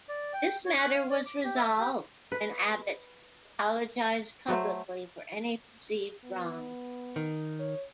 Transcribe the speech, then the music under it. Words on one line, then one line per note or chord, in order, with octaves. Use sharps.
This matter was resolved when Abbott apologized publicly for any perceived wrongs.
D5
G5
C#5
F#6
F5
D5
D6
G4
E5
G4
B4
F#3 A3 C5
B3
D#3
C#5